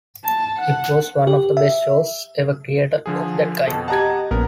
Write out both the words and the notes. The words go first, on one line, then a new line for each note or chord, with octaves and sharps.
It was one of the best shows ever created of that kind.
A5
F#5
G4
E5
D3 F3 G#4
F2 B2 A4
G4 D#5 F#5 A5 A#5 G#6
A#1 B3 C#4 A#4